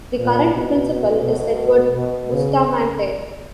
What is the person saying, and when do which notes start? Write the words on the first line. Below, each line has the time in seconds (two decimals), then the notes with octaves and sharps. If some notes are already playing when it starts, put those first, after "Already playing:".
The current principal is Edward Bustamante.
0.19 A#2
0.54 B2
0.90 B2
1.25 B2
1.96 B2
2.33 C#3